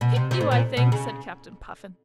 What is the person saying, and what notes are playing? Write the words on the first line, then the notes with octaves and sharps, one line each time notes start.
"Hit you, I think," said Captain Puffin.
B2
C3
C3
A2
A#2
B2
C#3